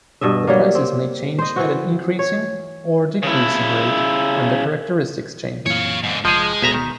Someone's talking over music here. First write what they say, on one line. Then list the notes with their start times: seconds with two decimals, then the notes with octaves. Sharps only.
The prices may change at an increasing or decreasing rate when the characteristics change.
0.21 G2 B2 D#5 E5
0.47 F#3 G3 A#3
0.75 C4
1.39 C5 D#5
1.56 E3 C4 F#4
2.19 C#5
3.23 C#3 E4
5.66 F#2 A#2 E3 C#5 F5
6.03 G#2 D3
6.25 F1 F3 G#3 G#4
6.62 D1 B1 B2 E5 A#5
6.74 D#3